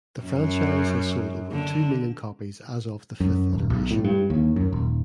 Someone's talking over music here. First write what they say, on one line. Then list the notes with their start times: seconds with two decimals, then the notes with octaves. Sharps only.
The franchise has sold over two million copies as of the fifth iteration.
0.23 F#2
1.51 D3
3.20 F#2
3.53 D#1
3.70 B1
3.91 A2
4.04 G2
4.30 D#2
4.56 F#2
4.73 D#1